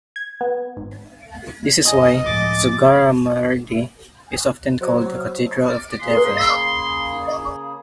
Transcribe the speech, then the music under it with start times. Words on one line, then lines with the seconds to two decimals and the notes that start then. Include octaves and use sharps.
This is why Zugarramurdi is often called "The Cathedral of the Devil".
0.16 G#6
0.41 B3
0.77 G#1
1.85 D#5 G#5 D#6
2.26 C#2 A2 F3 D6 A6
4.81 F#3 C5 C#5
6.00 C#3 A#3 G#4 C6